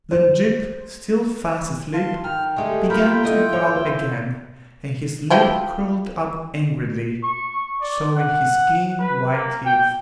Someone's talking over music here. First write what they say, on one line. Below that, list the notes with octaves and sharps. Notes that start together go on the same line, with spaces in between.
Then Jip, still fast asleep, began to growl again and his lip curled up angrily, showing his clean, white teeth.
C5
F5 A5 C6
D#3 G5 F6
D3 G#3 A3 G4
A3 F4 A#4 G5 B5
D3 A3 E4 D#5
C#5
F3 E4 G4
C#6
D5
F#5
B4
A#3
G5